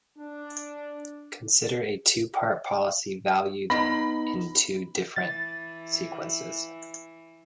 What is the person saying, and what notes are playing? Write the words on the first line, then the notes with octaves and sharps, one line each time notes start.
Consider a two-part policy valued in two different sequences.
D4
B3 D#4 B5 A#6
E3 A6